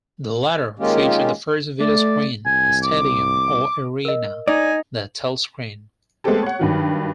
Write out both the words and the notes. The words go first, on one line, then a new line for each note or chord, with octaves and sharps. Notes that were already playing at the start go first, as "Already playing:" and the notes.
The latter featured the first videoscreen in a stadium or arena, the Telscreen.
D#3 G#3 A#3 C#4 F4 G4
A3 D5
C2 G#5
D6
A#4 D#5
D#4 D5 G#5
G#3 A3 B3 C4 G4 A4
C#5 F#5
G2 D#3 F#3